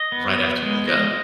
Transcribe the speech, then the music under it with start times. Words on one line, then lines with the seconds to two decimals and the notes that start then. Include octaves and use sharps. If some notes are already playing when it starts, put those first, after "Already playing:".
right after you wake up,
Already playing: D#5
0.12 B3
0.38 B3
0.62 G#3
0.87 D#5